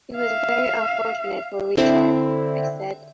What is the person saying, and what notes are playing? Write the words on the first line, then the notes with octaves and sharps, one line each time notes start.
It was very unfortunate for Richard, I said.
E5 F5
D3 C4 E4